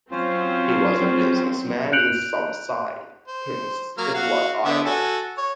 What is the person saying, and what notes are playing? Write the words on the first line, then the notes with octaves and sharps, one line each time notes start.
He was a businessman in Summerside, Prince Edward Island.
F#3 C4 C#4 F4 C5
F#6 G6 C#7 D7 F7 F#7
C5
F#3 A#3 F6
F#4 F5
D3 B3 E5
F#4 A4 G#5
C#5